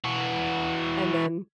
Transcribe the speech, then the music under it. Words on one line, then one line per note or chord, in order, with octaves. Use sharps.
and then
E3 F#4